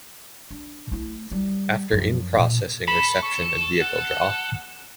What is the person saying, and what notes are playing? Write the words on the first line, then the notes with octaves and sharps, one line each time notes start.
After in-processing, reception and vehicle draw.
D4
A3 E4
G3
F#2 F3
A#2
A4 B5
C#6
F#5